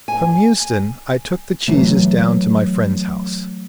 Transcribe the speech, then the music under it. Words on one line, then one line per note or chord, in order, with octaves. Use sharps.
From Euston, I took the cheeses down to my friend's house.
G#5
E3 F#3 A3